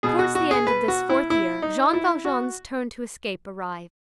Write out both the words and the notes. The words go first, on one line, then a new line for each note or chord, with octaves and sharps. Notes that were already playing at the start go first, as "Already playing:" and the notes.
Towards the end of this fourth year Jean Valjean's turn to escape arrived.
B2 G#4
F#4
F#4
G#4
B4
F#4
E4
E4
D#4
E4
F#4